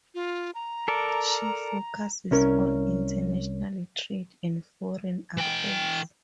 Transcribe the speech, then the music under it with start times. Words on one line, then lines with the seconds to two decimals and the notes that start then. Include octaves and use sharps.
She focuses on international trade and foreign affairs.
0.15 F4
0.55 A#5
0.88 A4 A#4 D5
2.31 C2 C#4 A#4
5.37 E3 G5